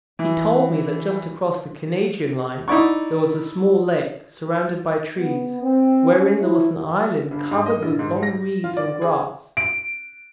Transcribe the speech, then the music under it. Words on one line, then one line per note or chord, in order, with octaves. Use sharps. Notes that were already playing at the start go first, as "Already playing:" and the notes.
He told me that just across the Canadian line there was a small lake, surrounded by trees, wherein there was an island covered with long reeds and grass.
E3
D#4 E4 D5 C#6
B3
C4
C#4
E4
G1
G#2
D#5
A#1
G#2
A#6
F4
D5
G#4
D7